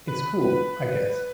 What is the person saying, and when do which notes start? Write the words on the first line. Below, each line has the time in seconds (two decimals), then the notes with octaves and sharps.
It's cool-I guess.
0.08 B4
0.41 B4